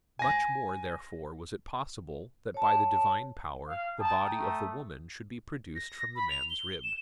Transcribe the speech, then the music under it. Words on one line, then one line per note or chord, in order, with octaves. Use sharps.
Much more, therefore, was it possible that by the Divine power the body of the woman should be produced from the man's rib.
G#5 A#6
C#5 A5
F5
G5 A5 A#5 D#6
A3
A#6
B5
F7
G7
E7